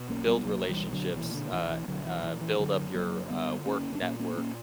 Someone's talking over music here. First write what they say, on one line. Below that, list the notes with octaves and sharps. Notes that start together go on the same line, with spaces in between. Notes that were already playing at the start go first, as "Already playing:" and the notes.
build relationships, uh uh, build up your, uh, work network,
Already playing: B2
B1 A#3 C#4
G3 B3
B1 F#3 A#3
E3 G3
B2
D3 F#3
A#2 E3
D3
B1 E3
E3
B1 D3 F#3
E3
A#2 E3
E3
F#2 D3 F#3
F#1 F#3 A#3
D3 G3 B3
F#1 A#3 C#4
D4
A#2 A#3 C#4
A#3 C#4
B3
A#3 C#4